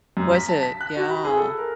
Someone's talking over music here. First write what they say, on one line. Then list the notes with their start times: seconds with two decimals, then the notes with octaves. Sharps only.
Was it, yeah,
0.17 F#2
0.35 B6
0.48 A5
0.63 B6
0.81 F#6
0.97 F#4
1.10 B5
1.25 G#4
1.37 A4
1.58 A#4